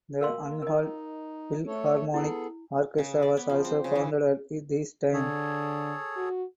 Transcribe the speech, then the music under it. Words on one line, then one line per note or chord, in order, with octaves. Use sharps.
The Anhalt Philharmonic Orchestra was also founded at this time.
B2 A#3 A#4 F5 C6
A#3
D#4 A#4 D#5
A3 A4 C#5
B3 E4 G#4 A4
C#3
D5
B3
F3
C4
C#3
E3
D3 G#4 A4 C#5
F#4